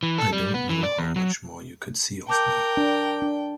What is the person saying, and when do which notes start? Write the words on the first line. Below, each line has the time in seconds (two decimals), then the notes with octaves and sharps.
I don't know how much more you could see of me.
0.03 E3
0.18 A4
0.32 G3
0.54 B3
0.69 E3
0.83 D5
0.99 E2
1.16 F#3
2.28 A#4 G5 A5 D6 G6
2.77 D4
3.22 D4